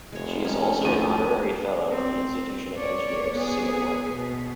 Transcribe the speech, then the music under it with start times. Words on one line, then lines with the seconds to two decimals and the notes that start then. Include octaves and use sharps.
She is also an Honorary Fellow of the Institution of Engineers, Singapore.
0.12 F1 G#3 C#5
0.45 G#3 C#4 D#4
0.85 D2 F3 A3 D#7
1.91 C4
2.77 C#5 D5
3.34 B3 G#4
4.13 B2